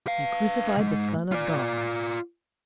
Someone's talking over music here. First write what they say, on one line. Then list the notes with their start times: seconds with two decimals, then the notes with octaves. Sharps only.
You crucified the Son of God.
0.07 B4 F5
0.77 C#2 G#2
1.32 F4 D5